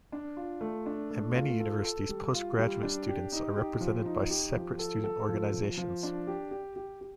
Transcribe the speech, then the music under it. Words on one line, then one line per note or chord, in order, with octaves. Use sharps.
At many universities, postgraduate students are represented by separate student organisations.
D4
F4
A3
D4
A3
F4
A4
A4
G3
F4
G3
D4
G4
D#4
G4
F3
D#4
G4
F3
A4
A4
F3
F3
F3
D4
G4
G4
G4
G4